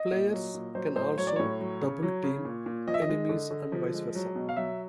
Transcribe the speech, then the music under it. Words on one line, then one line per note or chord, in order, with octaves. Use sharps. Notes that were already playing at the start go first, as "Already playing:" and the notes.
Players can also double-team enemies and vice versa.
Already playing: D#5
A#2
F#3
A#2
F#3 C5
A2 C5
F#3 C#5
D5
A2 C#5
F#3
C#3
F#3
C#3
A#2
A#2
F3 D#5
E5
D#5
G#3
D3
D3
F3
G#3
F#3
B2
F5
F#3 E5